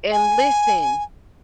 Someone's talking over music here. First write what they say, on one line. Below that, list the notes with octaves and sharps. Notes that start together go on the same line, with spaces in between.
And listen,
G#5